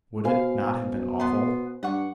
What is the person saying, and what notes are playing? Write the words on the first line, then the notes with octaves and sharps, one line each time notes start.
Would it not have been awful?
B2 F#4 C5 F5 G#5
B3 C6
G2 F#5 C#6